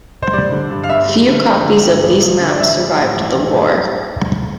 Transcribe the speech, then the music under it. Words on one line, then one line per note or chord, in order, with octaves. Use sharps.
Few copies of these maps survived the war.
C5
G3 D5
D3
G2
F5
G1 E5
G3
D3
F3
D3
G2
A1
F3
D3
D5
A1 E5
G3
A2
A1
A1
G3